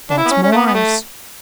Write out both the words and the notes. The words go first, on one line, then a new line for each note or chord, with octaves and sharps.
That's Morris.
D4
E4
B3
C#4
C#4
A3
B3
B3
A3